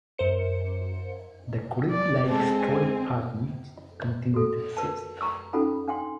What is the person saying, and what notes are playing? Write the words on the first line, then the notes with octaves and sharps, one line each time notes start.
The grid-like street patterns continue to exist.
F#2 A#4 C5 C#7
D5
G#3 C4 A4
G#5
F#4 A4
A#4 B4 A5
A#5 C#6 E6
C#4 D#4 F4 A4 F#5 B5
D4 F#5 G5 C6